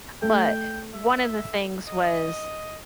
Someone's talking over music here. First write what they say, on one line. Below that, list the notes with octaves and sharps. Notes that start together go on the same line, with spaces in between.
But, uh, one of the things was
A3 G5
E5
D#5